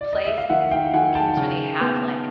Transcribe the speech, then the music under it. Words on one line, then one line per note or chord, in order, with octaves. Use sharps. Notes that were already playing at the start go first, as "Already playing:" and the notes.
play some of these video games, or they have, like,
D5
D#5
E5
F5
D#3 E5 F#5
F5 G5
D#3 F#5 G#5
G5 A5
C#3
B3